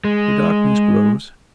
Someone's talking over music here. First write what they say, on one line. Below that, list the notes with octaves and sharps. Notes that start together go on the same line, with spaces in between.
The darkness grows.
G#3